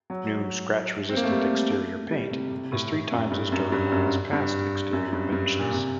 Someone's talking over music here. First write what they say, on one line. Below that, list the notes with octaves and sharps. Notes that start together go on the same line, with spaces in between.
New scratch-resistant exterior paint is three times as durable as past exterior finishes.
F#3
C4
A#3
A3
G3
A3
G3
C3
C3
A2
A2
F#2
G2
F#2
G2
F#2
G2
F#2
G2
G2
A#2
C3